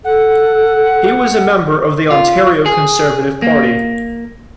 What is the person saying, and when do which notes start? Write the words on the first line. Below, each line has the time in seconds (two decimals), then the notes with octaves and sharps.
He was a member of the Ontario Conservative Party.
0.04 A4 F#5
2.11 F4
2.66 G#4
3.42 A#3